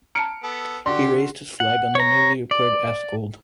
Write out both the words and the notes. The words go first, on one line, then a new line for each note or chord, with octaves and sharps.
He raised his flag on the newly repaired "Askold".
A5 A#5 F6 C#7 D7
B3 A4
D3 F#4 G4 D5 C6
F#5
C#5 A#5
D5